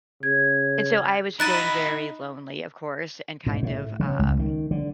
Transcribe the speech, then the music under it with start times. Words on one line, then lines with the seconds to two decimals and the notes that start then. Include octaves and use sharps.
And so I was feeling very lonely, of course, and kind of, um,
0.23 C#3 G#6
1.40 D#4 E4 F#4 B5 F#6 A6 D#7
3.46 G#2
3.63 A2
4.00 C#3
4.19 C#2
4.39 D#3
4.71 D3